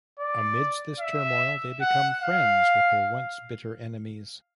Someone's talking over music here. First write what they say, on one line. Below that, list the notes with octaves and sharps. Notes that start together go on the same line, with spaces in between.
Amidst this turmoil, they become friends with their once-bitter enemies.
D5
E5
F#5
F5